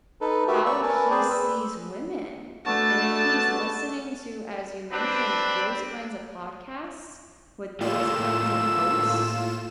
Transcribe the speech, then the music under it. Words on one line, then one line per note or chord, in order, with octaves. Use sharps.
how he sees women. And if he's listening to, as you mentioned, those kinds of podcasts with those kinds of hosts,
D#4 A4 B4
F#4 G4 A#4 B4 E5
D5 B5 C#6 E6
A#4 B4 G#5 A5
C4 G#4 B4 C5 D5
B4 E6
A3 B3 D4 F#4 A5
C4 D4 B4
A2 A3 A#3 F4 G4 E6 E7